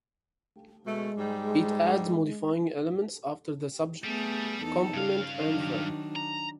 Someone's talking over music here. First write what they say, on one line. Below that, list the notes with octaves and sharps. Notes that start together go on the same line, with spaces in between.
It adds modifying elements after the subject, complement, and verb.
B2 G#3 A3
G#2 G3
G3 A3 B3 G#4
E2 D#4 A4
G2 C#3 F5
D#3 F#3 D4
A#5